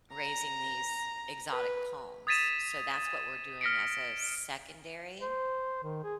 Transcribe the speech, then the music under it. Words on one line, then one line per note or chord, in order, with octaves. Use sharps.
raising these exotic palms, so that's what we're doing as a secondary.
A#5
B4
D#6 G#6 A6 B6 D#7 E7
F6 A#6 B6 C#7 D7
C5
D#3
G#4